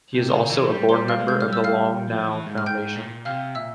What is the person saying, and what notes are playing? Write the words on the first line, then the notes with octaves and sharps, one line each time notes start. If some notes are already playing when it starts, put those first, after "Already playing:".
He is also a board member of the Long Now Foundation.
C3
C#3 A#4 A#5
E3
G3
G3 C5 C6
F5 F6
G#3
G6
F6
G3 E6
F5 F6
F3
E3
G#2
F6
G#2 G5 G6
A#2
C3 F5 F6
A#2 E5 E6